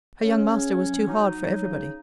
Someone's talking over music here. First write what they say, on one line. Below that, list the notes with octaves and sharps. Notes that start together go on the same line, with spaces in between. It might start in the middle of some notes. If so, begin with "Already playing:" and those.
Her young master was too hard for every body.
C#3 C#4
C#3
F#3
F#3 D#4
F#3
C#3